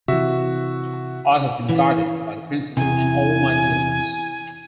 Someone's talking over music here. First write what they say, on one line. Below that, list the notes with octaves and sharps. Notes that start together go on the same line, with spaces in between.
I have been guided by the principle in all my dealings.
C3 E3 F#4 E5
E3
E2 C3 E4 G#5